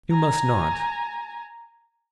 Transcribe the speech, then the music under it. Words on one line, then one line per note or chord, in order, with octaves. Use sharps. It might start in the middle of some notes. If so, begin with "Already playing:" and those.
You must not.
G#5 A#5